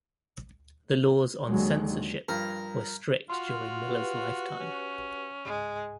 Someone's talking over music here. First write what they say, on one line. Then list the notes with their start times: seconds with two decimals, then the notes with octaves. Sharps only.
The laws on censorship were strict during Miller's lifetime.
1.47 D#2 D3 D#3 F#3 G#3
2.28 G2 F3 A#4
3.30 F4 F#4 C6 F6
3.89 G4 B4
4.60 C#4
5.45 C#2 G#2 G#3